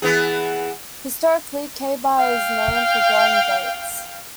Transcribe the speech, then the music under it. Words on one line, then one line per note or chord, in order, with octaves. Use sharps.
Historically, Khaybar is known for growing dates.
E3 B3 G#4
F5 G5